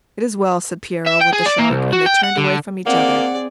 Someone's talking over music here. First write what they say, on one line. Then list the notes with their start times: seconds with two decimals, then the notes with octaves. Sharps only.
"It is well," said Piero, with a shrug, and they turned away from each other.
1.07 E5
1.21 G5
1.33 G#4
1.46 D5
1.59 A#3
1.70 C2
1.93 F#4
2.06 G5
2.23 F#5
2.37 D3
2.86 A#3 C4 G#4 D5 F#5